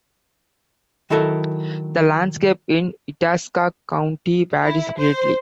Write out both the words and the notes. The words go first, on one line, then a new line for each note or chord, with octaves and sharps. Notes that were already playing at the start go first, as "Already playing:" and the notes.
The landscape in Itasca County varies greatly.
D#3 F#3 E4 A4 A#4 E5
E4
C5